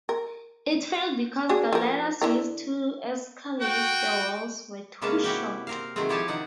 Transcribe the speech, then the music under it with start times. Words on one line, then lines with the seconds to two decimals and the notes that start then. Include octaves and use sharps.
It failed because the ladders used to escalade the walls were too short.
0.09 A#4
1.49 D4 F#4 G#4
1.73 F3 A#4
2.22 D3 E4 A#4
3.61 F#4 G5
5.02 C3 G#3 A#3 C#4 B4 A5
5.24 E4 F#4 G4
5.67 C4 A#4 F5
5.96 C3 D#3 F#3 G#3 A3 C4
6.09 F3 E4 G4 C#5 G#5 A5
6.28 C3 D#3 D#4 F#5